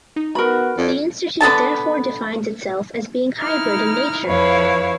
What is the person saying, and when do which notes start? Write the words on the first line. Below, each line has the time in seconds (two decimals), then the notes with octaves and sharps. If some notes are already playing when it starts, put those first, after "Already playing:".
The institute therefore defines itself as being hybrid in nature.
0.16 D#4
0.35 B3 F#4 A#4 B5
0.78 F2 D5 G#6
1.41 D3 B3 A4 A5
3.40 D#4 E4 F6
4.27 F2 F3 E4 B4 C#5 F5